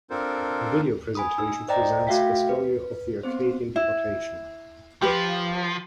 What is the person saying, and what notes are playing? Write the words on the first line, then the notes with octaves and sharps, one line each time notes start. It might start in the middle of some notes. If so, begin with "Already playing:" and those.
A video presentation presents the story of the Acadian deportation.
C4 D4 F4 A4 A#4 C5
G#5 B5 D#6
D#4 E6
C5 D5 D#5 G5 A#5
A3 F#4 E5 F5 G5 B6
B4
B3 C4 C5
E4
F3 G4 B4